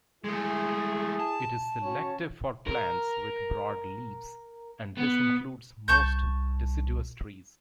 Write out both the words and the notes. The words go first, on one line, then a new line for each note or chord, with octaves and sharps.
It is selective for plants with broad leaves, and this includes most deciduous trees.
G#3 A3 E4 G#4
A5
C#4 F#4 C#5
A#4
B3
C2 A5 C#6 G6